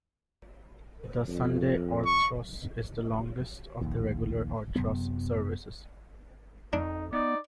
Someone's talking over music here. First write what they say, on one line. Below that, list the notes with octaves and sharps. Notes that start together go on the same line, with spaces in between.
The Sunday orthros is the longest of the regular orthros services.
F2
C#6
A#1 D#2
F#2 C3 F#3 B3
F2 D4 D#4
B3 D#4 D5